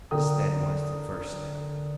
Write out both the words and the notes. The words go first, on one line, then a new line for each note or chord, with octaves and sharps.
This then was the first step.
D3 A#4 G5 D#6